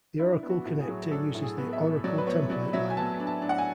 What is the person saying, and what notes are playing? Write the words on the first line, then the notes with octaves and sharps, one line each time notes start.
The Oracle connector uses the Oracle Template Library.
D4 E4
B3
F#4
A2
G#4
F#3
D4 A4
A2
G#4
B3
E5
A2
F#3 D5
B4
B3 C#5
F#3 D5
F#3 E5
G#5
B3 A5
D4
A5
D4
F#5
G#5